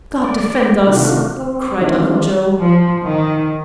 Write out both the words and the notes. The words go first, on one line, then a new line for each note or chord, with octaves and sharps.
"God defend us!" cried Uncle Joe.
D5
C3 D#3 A3 D4 F4 F#4
C4
D#3 E3 G#3 C4 D4 F4
F3
D#3